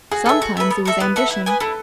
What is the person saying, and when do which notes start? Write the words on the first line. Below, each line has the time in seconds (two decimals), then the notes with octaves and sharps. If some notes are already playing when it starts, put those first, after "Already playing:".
Sometimes it was ambition.
0.11 F#4 G#4
0.26 A4 B4 E5
0.42 F#4
0.57 B4 E5
0.71 B3
0.85 F#4 A4 E5
1.00 B3 B4
1.16 F#4 A4 E5
1.30 E4
1.46 B4 D#5 G#5
1.60 E4 A4